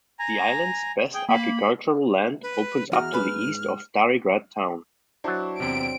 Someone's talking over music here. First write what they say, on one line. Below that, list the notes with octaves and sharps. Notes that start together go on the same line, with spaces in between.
The island's best agricultural land opens up to the east of Stari Grad town.
G#5 A#5
G#4 G5
A#3 B5
B4
E2 F#4 A#5 F6
G#2 B4 B5
F#3 D4 E4 F#4 C5
E2 C3 C4 D7